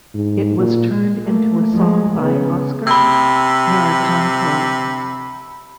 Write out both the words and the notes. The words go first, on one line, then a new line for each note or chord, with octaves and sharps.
It was turned into a song by Oskar Merikanto.
G#2
A#2
A3 A#3
F3 G#3
C#3 B3
C3 B5 E6